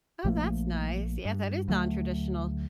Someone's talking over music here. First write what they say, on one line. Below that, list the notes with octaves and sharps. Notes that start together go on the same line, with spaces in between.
Oh, that's nice. Yeah, that is nontraditional,
A#1 F3 A3 A#3
G2
D2 F#3 G#3 A3